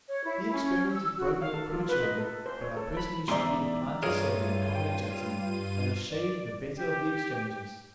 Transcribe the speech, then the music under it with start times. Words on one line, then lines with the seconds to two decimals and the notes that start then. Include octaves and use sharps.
The experiment was broken off prematurely, but I personally should be inclined to say that Comrade Jackson had a shade the better of the exchanges.'
0.08 C#5
0.24 E4
0.52 C#4
0.91 E6
1.17 F#4
1.42 F5
1.54 A4
1.73 F4
1.89 B4
2.03 D#5
2.18 A4
2.46 C5
2.61 C#5
2.77 A4
2.97 B5
3.28 E2 G#2 D5 E5 A#5 C6
4.03 G2 F4 G#4 A#4 C#5 D#7
4.75 G5
6.08 D5
6.75 G4